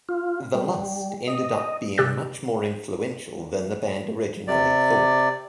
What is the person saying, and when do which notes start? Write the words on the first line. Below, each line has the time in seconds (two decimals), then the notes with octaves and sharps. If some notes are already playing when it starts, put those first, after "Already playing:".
"The Lust..." ended up being much more influential than the band originally thought.
0.09 F4
0.54 G3
1.27 D#5
1.98 C3 G4 E6 F#6 A6
4.48 C3 D5